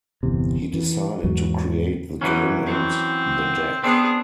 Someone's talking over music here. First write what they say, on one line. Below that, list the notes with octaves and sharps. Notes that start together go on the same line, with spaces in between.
He decided to create the game and the deck.
G1 E2 C3
E3
E2 G#2 F#3
E3 F#3 C#4
C4
B3 C4 D4 G#4